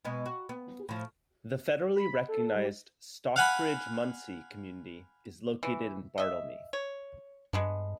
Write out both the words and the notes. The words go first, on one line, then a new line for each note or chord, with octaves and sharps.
The federally recognized Stockbridge-Munsee Community is located in Bartelme.
B2 G#3 B3
F#4
B3
A2 F3
B5
A4
G3
F5 F#5 G#5 B5
E3
D#5 E5
C#5
G2 G#3 B3 D4